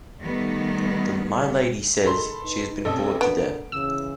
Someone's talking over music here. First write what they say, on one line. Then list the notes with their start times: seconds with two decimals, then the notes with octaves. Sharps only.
My Lady says she has been "bored to death."
0.21 D#3 G3 A3 B3
2.05 G#2 G#3 A4 A#4 B5 C6
2.42 D#4 B4
2.85 A1 C3 G#3 A3 C#4 A4 D#5
3.21 B3 D4 A#4 D7
3.72 C#3 E3 E6